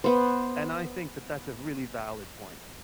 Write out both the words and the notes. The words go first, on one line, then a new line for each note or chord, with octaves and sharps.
And I think that that's a really valid point.
B3 C5